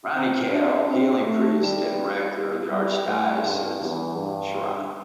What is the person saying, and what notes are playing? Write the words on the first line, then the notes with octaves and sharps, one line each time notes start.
Ronnie Cao, Healing Priest and Rector of the Archdiocesan Shrine.
C4
D4
C4
A3
G3
G3
A2
G2
E2
G2